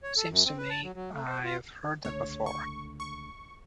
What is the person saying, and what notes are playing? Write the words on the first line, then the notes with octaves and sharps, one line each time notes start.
Seems to me I've heard that before.
C#5
A4
F#2
C4
B4
A5
F#3
F#3
A3
C5
F4
C#2 D3 A3 C#5
C#6
C#6